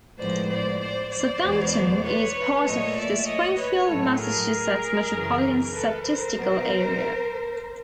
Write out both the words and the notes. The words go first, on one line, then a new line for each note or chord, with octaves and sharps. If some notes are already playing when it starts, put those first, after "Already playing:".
Southampton is part of the Springfield, Massachusetts Metropolitan Statistical Area.
A2 F3 G#3 B3 C5 D5
C5 D5
C5 D5
C5 D5
E2 B2 G#3 B3
B4 C#5
A#2 F#3 A3 C#5 D#5
D5 E5
C#5 D#5
B4 C#5
A2 F#3 A3 A4
G#4 A#4
F#2 C#3 E3
A4 B4
A#4 C5
B2 F#3 B3